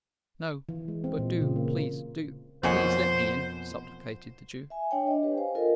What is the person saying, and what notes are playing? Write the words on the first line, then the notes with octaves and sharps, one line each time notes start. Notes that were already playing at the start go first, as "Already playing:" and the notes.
"No; but do, please--do, please, let me in," supplicated the Jew.
E3
G#3
C4
A#2
C#3
A#3
F2 B2 A#3 C5 C#5 F#5 G#5
E5 G#5
D4 C#5 G5
D4 D#5
G4 B4
C5 F5 G#5
F4 A4 A#4 D#5